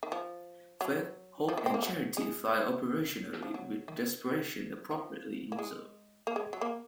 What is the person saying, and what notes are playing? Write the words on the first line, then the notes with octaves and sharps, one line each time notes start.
"Faith", "Hope" and "Charity" fly operationally, with "Desperation" appropriately in reserve.
D#3
F3
F#3
F3
D#3
C4
A#3
F#3
G#3
F3
F#3
D#3
F3
A#3
G#3
A#3
G#3
F#3
A#3